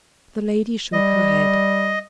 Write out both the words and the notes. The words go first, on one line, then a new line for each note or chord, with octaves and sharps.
The lady shook her head.
G3 D#5